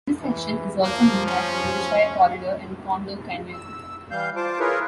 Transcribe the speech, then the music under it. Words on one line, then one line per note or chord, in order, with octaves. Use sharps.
This section is also known as the Wilshire Corridor and Condo Canyon.
E3
F3 A#3
C#4
E6
E3 G3 F5 G6
F4 C5 A5 D6
E4 F4 G#4 A#4 B4 C#5